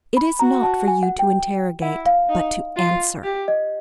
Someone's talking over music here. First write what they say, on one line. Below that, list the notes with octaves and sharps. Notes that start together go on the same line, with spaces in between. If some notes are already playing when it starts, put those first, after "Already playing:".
"It is not for you to interrogate, but to answer."
B5
F#4 A#5
A5
G#5
F#5
G5
E4 F#5
F5
D#4
F4
G4
D#5